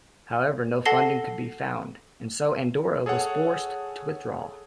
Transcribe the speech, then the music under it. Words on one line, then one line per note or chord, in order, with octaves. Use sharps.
However no funding could be found, and so Andorra was forced to withdraw.
A4 F#5 A5 A#6 C7 G7
G#4 A4 C#5 F#5